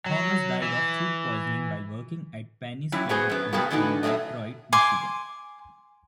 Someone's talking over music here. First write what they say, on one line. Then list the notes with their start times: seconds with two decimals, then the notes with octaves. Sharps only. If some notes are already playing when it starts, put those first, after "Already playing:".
Thomas died of food poisoning while working at Penny's Pleasure Inn in Detroit, Michigan.
0.06 F#3
0.62 E3
2.92 F#2 F#3 G3 E4
3.09 B3 F#4 G#4 C5
3.29 F#2 B3
3.53 B2 G3 G#3 A#3 B3 F#4
3.71 D3 E3 B3 D#4 F#4
4.03 A2 F#3 G#3 A3 D#5
4.73 G#5 C6 D6